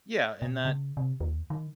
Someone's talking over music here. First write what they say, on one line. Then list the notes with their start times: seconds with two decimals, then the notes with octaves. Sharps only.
Yeah, and that
0.42 B2
0.65 C#3
0.97 C3
1.21 D#2
1.50 D#3